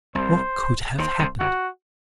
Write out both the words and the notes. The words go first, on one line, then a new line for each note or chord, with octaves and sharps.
What could have happened?
C2 C3 C5
D#2 D#3 C5
C2 C3
G1 G2 F#4